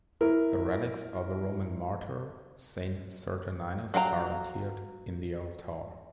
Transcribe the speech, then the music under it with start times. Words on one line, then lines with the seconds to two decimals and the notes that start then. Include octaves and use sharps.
The relics of a Roman martyr, Saint Saturninus, are interred in the altar.
0.21 E4 A#4
3.94 F#3 F5 G5 A#5